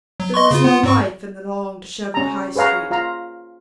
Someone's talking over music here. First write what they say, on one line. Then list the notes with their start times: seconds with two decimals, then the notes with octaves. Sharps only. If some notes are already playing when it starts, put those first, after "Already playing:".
There was no life in the long, disheveled High Street.
0.20 F#3
0.34 D#5 C6 C#6
0.51 C#3 F4
0.64 B3 F4
0.83 G#2 C4 C#6
2.14 C#4 A#5
2.55 G#4 B4 C#5 F5 A#5
2.91 F4 F5 A#5